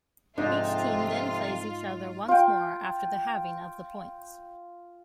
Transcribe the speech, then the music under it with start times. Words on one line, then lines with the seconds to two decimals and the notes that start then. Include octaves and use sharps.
Each team then plays each other once more after the halving of the points.
0.38 F2 G#2 C3 D4 D#4 F4
2.28 F4 G5